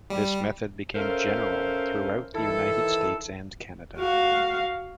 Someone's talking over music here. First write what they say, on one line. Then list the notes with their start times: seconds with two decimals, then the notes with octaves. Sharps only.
This method became general throughout the United States and Canada.
0.10 G3
0.95 C#4 A4 A#4 C5 E5 F5
2.35 D#3 E3 E4 A4
3.97 F#4 F5